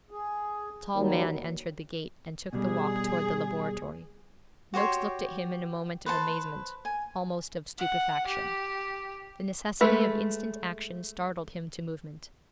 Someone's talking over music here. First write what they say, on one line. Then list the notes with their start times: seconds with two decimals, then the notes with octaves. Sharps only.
A tall man entered the gate and took the walk toward the laboratory. Noakes looked at him in a moment of amazement, almost of stupefaction. The necessity of instant action startled him to movement.
0.11 G#4
0.95 D#2 F#3 G3
2.53 B2 G3 G#4
4.74 F#4 G4 C#5 C6
6.06 B4 C5 A5
6.85 G#5
7.78 F#5
8.26 G4
9.81 G#3 A3 B4